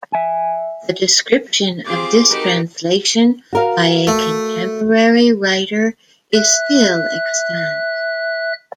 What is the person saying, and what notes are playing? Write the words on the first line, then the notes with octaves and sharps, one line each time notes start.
The description of this translation by a contemporary writer is still extant.
E5 G#5
C4 F4 G4 G#4 C5 D6
D#4 F#4 G4 A#4 B4 B5
F#4 A#4 F5
A3
E5 F#6